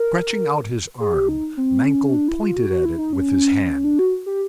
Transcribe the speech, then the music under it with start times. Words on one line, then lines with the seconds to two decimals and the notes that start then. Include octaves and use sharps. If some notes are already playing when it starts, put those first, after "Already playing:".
Stretching out his arm, Mankell pointed at it with his hand.
Already playing: A#4
1.00 G#4
1.14 G4
1.29 D#4
1.57 C4
1.85 C#4
2.13 D4
2.28 E4
2.43 F4
2.56 F#4
2.70 F#4
2.85 E4
2.98 D#4
3.13 C#4
3.84 D4
3.99 F#4
4.26 G4